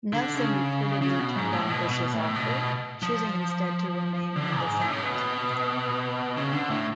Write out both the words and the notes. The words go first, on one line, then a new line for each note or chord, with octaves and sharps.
Nelson reportedly turned down Bush's offer, choosing instead to remain in the Senate.
D3
C#3
C#3
B2
G#2
A2
B2
B2
A2
B2
F3
D3
G#2
A2
C#3
B2
C#3
D3
A2